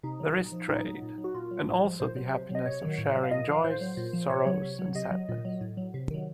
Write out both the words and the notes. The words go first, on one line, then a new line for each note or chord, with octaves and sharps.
There is trade and also the happiness of sharing joys, sorrows, and sadness.
C3 D#4
F#3
A#2
F3
A#2 D#4
F#3
A#2
F#3
F#4
A#2 F4
F#3
A2
F3
A#2 C5
F#3
C3
F#3
D#5
C3 C#5
D#3 F#3
A2
F#3
F5
A#2 D#5
F3 F5
A2 C5
F#3
A#2
F3
A#2 C#5
F#3
C3
F#3
C3 D#5
F#3
A#2
F#3
A2
F#3
C3
D#3 F#3